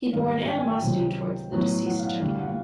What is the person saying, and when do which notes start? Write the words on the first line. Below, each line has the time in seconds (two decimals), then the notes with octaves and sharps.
He bore an animosity towards the deceased gentleman.
0.13 G#2 D#3 G3 A#3 F5
0.47 G5
0.59 G#5
0.71 G5
0.82 C#2 C3 D#3 F#3
1.52 A2 F#3 B3
1.86 F#5
1.99 F5
2.04 F#5
2.21 D2 D3 G3 F5
2.39 F#5
2.47 F5